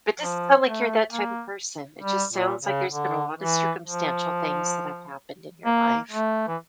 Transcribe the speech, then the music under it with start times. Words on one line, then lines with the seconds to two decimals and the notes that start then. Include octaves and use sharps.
but doesn't sound like you're that type of person. It just sounds like there's been a lot of circumstantial things that have happened in your life.
0.20 F3
0.66 A3
1.12 A#3
2.02 G3
2.33 A#2
2.62 C#3
2.93 D3
3.39 E3
3.85 F3
5.65 A#3
6.11 A3
6.47 E3